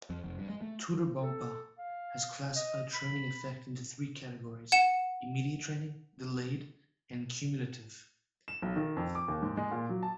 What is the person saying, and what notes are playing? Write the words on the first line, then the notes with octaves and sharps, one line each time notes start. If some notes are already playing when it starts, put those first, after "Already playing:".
Tudor Bompa has classified training effect into three categories: immediate training, delayed, and cumulative.
F2
F1
G2
G#3
A3
A4
F5
D#5
B5
F#5 C#7 E7
E7
B1
D#3
F2
D6
D#2
G#2
G#3
A#2
F#3
A5